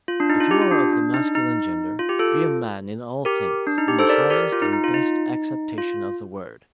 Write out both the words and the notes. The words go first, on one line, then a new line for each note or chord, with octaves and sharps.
If you are of the masculine gender be a man in all things in the highest and best acceptation of the word.
F4
D4
D#4
F4
G4
F4
D4
D4
D#4
D#4
F4
G4
F4 A4
G4 A#4
D4
D#4
G4
A4 C5
A#4 D5
G4 A#4
F4
D#4
D#4
F4
D#4
F4